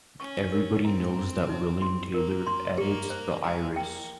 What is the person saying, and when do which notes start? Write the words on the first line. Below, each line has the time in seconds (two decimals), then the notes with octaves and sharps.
Everybody knows that William Taylor edits the Iris.
0.19 C#4 C#6
0.52 A#4
0.84 C4 A#5
1.16 A#5
1.49 D#4
1.82 C6
2.14 A#3 A#4
2.47 C6
2.78 A#3 G4
3.10 C5
3.43 G#3 A#5
3.76 A#3 G5